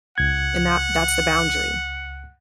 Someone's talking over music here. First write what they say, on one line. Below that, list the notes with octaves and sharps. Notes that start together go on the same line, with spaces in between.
and that that's the boundary.
C#2 F#5 G#6